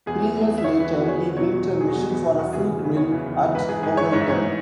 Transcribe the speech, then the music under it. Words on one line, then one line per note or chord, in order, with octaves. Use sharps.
Three years later he built a machine for a silk mill at Congleton.
E2 G#4
E3
E2
E3
E5
E2 C#5
E3 B4
E2 F#4
E3 G#4 C#5
B4
E2
B2 F#3 C#5
E2
B2 F#3
E2 G#4
B2 F#3 F#4
G#4
E2
B2 F#3
E2 F#4
C#3 E3 G#4
E2
C#3 E3
E2 C#5
C#3 E3
E2
C#3 E3
G#2 B4
E3 G#4
G#2 G#4
E3 C#5
G#2 C#5
E5
E3 C#5